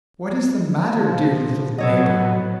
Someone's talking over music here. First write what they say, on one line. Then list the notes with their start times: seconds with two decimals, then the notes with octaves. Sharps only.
"What is the matter, dear little neighbor?"
0.96 F3
1.78 A2 F#3 B3 F#4 A4 C#5 D#5